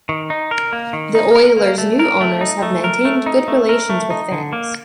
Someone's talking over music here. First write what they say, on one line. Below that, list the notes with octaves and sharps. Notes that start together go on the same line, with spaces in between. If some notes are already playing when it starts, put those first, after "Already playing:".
The Oilers' new owners have maintained good relations with fans.
D#3
D#4
A#4
A#3
D#3
D#4
A#4
A#3
A3
A#4
A3
D#4
A3
A#4
A3
D#4
A3
A#4
A3
D#4
D3
A#3